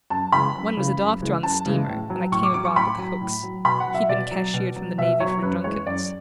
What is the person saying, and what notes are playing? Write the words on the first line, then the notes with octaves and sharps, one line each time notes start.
One was the doctor on the steamer, when I came abroad with the Hokes: he'd been cashiered from the navy for drunkenness.
F#2 A5
C#3 E3 G#3 B5
F#2
C#3 E3 G#3
F#2
C#3 E3 G#3
F#2 A5
C#3 E3 G#3
A2
F#3
A2 C#6
D6
F#3 D6
C#6
A2 B5
F#3
A2
F#3
B2 B5
F#5
F#3
E5
B2 D5
F#3
B2
F#3
B2 E5
F#3 C#5
F#2 B4
E3 G#3 C#5
F#2 D5